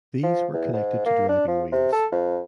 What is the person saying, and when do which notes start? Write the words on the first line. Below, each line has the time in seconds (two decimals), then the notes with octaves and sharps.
These were connected to driving wheels.
0.23 F3
0.54 E2
0.73 G#2
1.05 A#3
1.29 D4
1.48 F3
1.72 C3
1.92 A4
2.12 F2